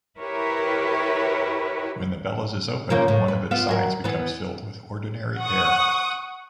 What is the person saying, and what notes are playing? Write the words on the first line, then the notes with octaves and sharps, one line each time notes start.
When the bellows is opened, one of its sides becomes filled with ordinary air.
E4 G4 A#4 B4 C#5
C#3 F3 A#3
A2
B4
B3 F4 E5
F#3 A#4
E3 B3
F#5 C#6 D#6